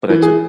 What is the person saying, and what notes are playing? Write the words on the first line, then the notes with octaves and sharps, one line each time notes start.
but I took
E3
G#4